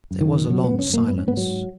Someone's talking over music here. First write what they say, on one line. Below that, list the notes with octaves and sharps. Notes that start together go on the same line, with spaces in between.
There was a long silence.
F#2
D#3
C#3
C#3 F#3
B3
F#2
C#4
F#2 A#3
G#2 B3
C#4
G#2 B3
F#3
G#2